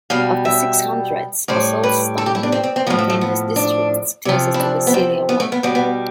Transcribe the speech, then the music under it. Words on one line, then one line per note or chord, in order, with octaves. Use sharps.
Of the six hundreds, Ossulstone contained the districts closest to the City of London.
B2 G3 F5
E5
A2 G3 C5
B4
A4
G4
E4
D4
C4
C4
C4
A2 F3 B3
A3
A3
B3
D4
C3 F3
E4
D4
B3
C4
B3
A3
B3
B2 G3 B3
B3